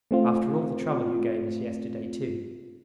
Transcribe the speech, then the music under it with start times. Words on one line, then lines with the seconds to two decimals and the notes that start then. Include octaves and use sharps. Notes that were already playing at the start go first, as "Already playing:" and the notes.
After all the trouble you gave us yesterday too!
0.11 A3 C4 F4